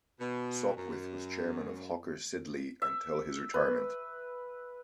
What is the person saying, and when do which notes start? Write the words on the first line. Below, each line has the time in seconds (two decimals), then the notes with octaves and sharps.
Sopwith was Chairman of Hawker Siddeley until his retirement.
0.20 B2
0.77 F#2
2.82 E5
3.54 B4